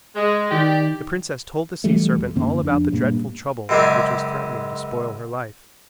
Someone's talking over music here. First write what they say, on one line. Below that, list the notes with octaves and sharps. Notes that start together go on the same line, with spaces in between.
The princess told the sea serpent all about the dreadful trouble which was threatening to spoil her life.
G#3
D#3 G4 D5
E3 F#3 G3 A3
E2
F#2 D3 A#3 C4
F2 D4
G2 A#2 A#3
C#2 F#2 G#3 C4 C#4 D5